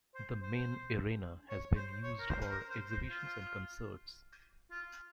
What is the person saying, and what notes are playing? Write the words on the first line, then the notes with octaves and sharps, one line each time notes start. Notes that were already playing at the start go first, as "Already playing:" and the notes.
The main arena has been used for exhibitions and concerts.
C5
C5
C#5
C5
C#5
A#4
C5
A#4
C5
C5
F4
F4